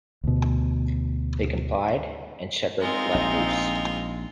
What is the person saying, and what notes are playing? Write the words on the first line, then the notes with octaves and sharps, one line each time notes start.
They complied and Shepard let loose.
D2 B2
G#3 C4 D#4 F4
A#1